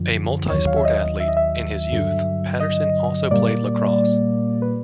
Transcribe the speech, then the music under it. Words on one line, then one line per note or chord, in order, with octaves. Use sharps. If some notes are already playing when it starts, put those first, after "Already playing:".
A multi-sport athlete in his youth, Patterson also played lacrosse.
Already playing: F#2 D3 F3
D#2 D#3 F#3 C#5
F5
E5
D#5
E5
D#5
E5
G2 D3 F#3
D#5
A#2 G3 A#3 D5
B4